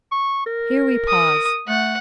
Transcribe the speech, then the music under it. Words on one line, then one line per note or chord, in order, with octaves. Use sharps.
Here we pause.
C#6
A#4
D#6
A3 F#5